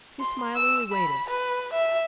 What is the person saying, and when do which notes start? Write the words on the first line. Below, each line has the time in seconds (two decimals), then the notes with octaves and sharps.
She smilingly waited.
0.20 C6
0.56 E6
0.93 B5
1.30 B4
1.73 E5